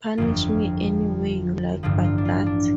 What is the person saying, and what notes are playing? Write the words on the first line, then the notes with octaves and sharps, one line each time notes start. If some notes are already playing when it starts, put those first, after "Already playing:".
Punish me any way you like but that.
G1 F2 F3 F4
A1 G2 D3 F3 F4
F4
D4
F4
D4